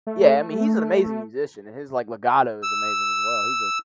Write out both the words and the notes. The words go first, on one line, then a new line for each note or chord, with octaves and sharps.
Yeah, I mean, he's an amazing musician, his, like, legato is amazing as well. He's a
A3
E6